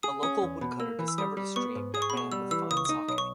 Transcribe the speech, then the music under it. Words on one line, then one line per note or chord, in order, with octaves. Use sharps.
A local woodcutter discovered a stream that ran with fine sake.
G#4 D#6
C#4 D#6
E2
B2
A#3 E6
E3
E6
G3 D#6
G3
B3 C#6
G#2
G#4 D#6
C#6
B5
B2 C#6
G3 E6
E3 E6
C#2 D#6
C#6
D#4 D#6
B1 D#6
C#6